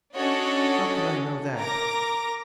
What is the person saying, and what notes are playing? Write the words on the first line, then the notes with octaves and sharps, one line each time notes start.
"How can I know that?"
C#4 D4 F#4 A4 C#5 D#5
A#4 A#5 D6 A#6